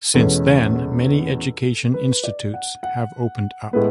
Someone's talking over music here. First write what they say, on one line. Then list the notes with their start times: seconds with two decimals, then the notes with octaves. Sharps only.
Since then many education institutes have opened up.
0.14 E2 B2 G#3 C#4 A4
1.94 B4
2.24 D5
2.54 F#5
2.83 F#5
3.73 A2 G#3 B3 E4 B4